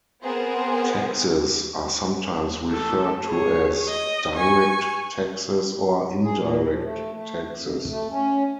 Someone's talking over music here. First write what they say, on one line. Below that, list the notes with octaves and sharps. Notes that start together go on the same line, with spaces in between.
Taxes are sometimes referred to as "direct taxes" or "indirect taxes".
B3 C4 G#4 A#4 C5
A3 A4
G#4 C#5
D#5
G#5 C#6
G#4
A#2
F3
A3
A3
F2
A3
C#4